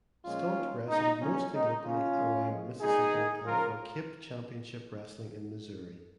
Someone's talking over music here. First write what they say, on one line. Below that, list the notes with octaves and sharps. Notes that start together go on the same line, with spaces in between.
Stunt wrestled mostly locally around Mississippi and for Cape Championship Wrestling in Missouri.
A#2 F3 G#3 C#4 F4
D#3 A#3
A#2 G#3 D#4
A#2 F3 A#3 C#4
D#3 G#3 D#4
C#3 A#3 C#4 F4
D#3 G#3
A#2 F3 G#3
A#2 G#3 D#4 G#4
D#3 A#3
C#3 F3 G#3 F4 A#4